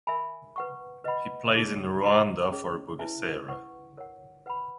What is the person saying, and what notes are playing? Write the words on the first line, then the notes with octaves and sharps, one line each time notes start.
He plays in Rwanda for Bugesera.
A#4 E5 G#5 B5
B4 F#5 C#6
B4 D#5 F#5 B5
D#4 G#4 C#5
F#4 B4 D#5 A#5
C#4 G#4 C#5
E4 B4 E5 G#5
B4 F#5 C#6
A#4 C#5 F#5
B4 F#5 B5